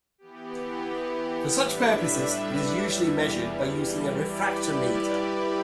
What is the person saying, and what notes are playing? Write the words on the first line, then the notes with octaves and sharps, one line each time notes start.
For such purposes, it is usually measured by using a refractometer.
E3 B3 G4
A2 G3 D4 B4 E5
E2 E3 G3
G3 E4 G4 B4 D5